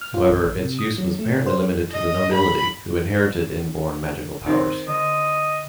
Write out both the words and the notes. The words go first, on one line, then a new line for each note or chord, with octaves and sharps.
However, its use was apparently limited to the nobility, who inherited inborn magical powers.
F6
F4
A1
A1
C3
D#6
F#3
A3
C3
C5
D#5
B5
D#3 C4
D3 D#5